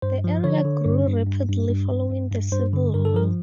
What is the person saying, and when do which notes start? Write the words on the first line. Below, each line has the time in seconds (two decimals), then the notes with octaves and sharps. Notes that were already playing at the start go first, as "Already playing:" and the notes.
The area grew rapidly following the Civil War.
0.02 G2 C5
0.24 F3
0.44 D3 C#5
0.65 D3
0.85 G2
1.07 G2
1.27 G2
1.49 G2
1.69 G2
1.90 G2
2.10 G2
2.31 G2
2.52 G2 C5
2.73 D3
2.94 G2 A#4
3.05 A4
3.14 F3 A#4